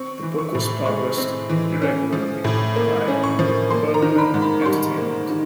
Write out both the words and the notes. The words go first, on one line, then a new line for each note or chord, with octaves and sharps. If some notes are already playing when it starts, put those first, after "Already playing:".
The book was published irregularly by Burlyman Entertainment.
Already playing: C4 C#6
E3
C#6
A2
G#3 C#6
C4
E3
C#4
F3
A2
A#3
C#4
C#6
F3
A#3 C6
A#5
D#3
B5
G#2
B5
C#6
G3 C6
A#3
D#3